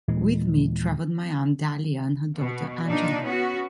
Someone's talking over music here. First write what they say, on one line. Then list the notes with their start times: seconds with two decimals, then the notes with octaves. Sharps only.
With me travelled my Aunt Dahlia and her daughter Angela.
0.08 D#1 A#2 E3 G#3
2.38 B2
2.86 A#2 D4 D#4
3.24 B3 C#4 F#4